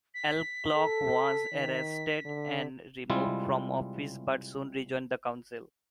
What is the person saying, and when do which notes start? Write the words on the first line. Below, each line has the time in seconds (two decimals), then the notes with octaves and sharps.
Alcock was arrested and removed from office but soon rejoined the Council.
0.14 B6
0.76 A4
1.53 D#3
2.25 D3
3.10 C3 G3 G#3 E4 F4